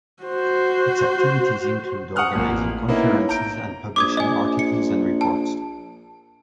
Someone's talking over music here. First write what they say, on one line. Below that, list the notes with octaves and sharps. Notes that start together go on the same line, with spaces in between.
Its activities include organising conferences and publishing articles and reports.
F#4 C5
F#5 C#6 D#6 F6 F#6
A1 A#2 A#3
A#3 B3 C#4 D#4 E4
A#5 G6 D7
A#1 D6 D#6 G#6
D#5 G#5
C#7
A5